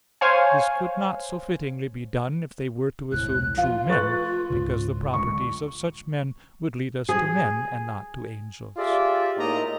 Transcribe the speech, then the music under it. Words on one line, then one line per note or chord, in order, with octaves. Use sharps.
This could not so fittingly be done if they were to assume true men; because the properties of such men would lead us to men, and not to angels.
C5 C#5 F5 G#5
E1 C2 A2 F#6
F3 F4 F5
B4 C#6 F#6 A6
C#2 G#2 C#3
D1 D3 G#3 C#6
G#4
F4 G4 G#4 D5 E5
A2 A#3 D#4 D#5 A#5